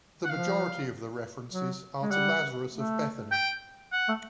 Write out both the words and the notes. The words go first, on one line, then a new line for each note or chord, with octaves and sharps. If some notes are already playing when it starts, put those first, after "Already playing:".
The majority of the references are to Lazarus of Bethany.
F#5
F3 F5
F#3
G#3
G3 F#5
A3
G5
F#5
A3